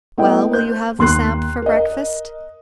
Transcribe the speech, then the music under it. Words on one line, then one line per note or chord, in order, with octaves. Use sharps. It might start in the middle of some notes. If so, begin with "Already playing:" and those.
"Well, will you have the samp for breakfast?"
A3 B3 E4 D#5 G5
C5 G6
D#2 C6 F#6 C7
A#4 D#5